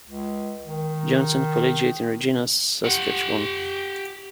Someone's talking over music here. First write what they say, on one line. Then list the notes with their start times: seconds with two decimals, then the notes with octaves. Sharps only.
Johnson Collegiate in Regina, Saskatchewan.
0.07 C#2
0.66 D#3
2.84 G4 F#5